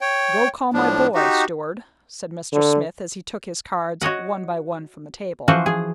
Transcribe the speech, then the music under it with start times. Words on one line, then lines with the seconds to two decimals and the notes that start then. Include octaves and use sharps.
"Go call my boy, steward," said Mr. Smith, as he took his cards one by one from the table.
0.01 C#5 G5
0.74 A2 F3 D4
1.15 D#4 F#4 G4
2.52 D3
4.01 F#4 C#5 D#5 F#5
5.48 E3 F3 F#4 C5
5.66 G#4